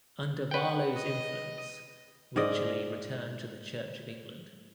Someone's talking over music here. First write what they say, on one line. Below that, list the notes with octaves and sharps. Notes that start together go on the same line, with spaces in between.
Under Barlow's influence, Wycherley returned to the Church of England.
B4 F#5 G5
D#5
G#2 D5 D#5